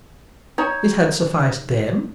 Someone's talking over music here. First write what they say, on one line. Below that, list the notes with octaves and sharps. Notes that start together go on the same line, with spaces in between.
It had sufficed them.
D#4 C#5